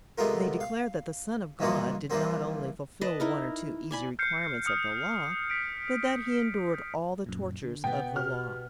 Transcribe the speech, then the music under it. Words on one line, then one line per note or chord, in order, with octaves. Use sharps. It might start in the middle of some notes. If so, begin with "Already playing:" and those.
They declare that the Son of God did not only fulfill one or two easy requirements of the Law, but that He endured all the tortures of the Law.
C3 G#3 A3 B3 F4 A#4
F5
G2 D#3 E3 A#3 F4 F#4
E3 F3 G3 A#3 C4
B4 D5 D#5 A5
D#4 E4 A#4
D5 G#5 B5
F6 G6 C7 C#7
D#6 F6 C#7
B6 D7
F#2 A#2
D3
B2 B3 G5
F#4 G4 F6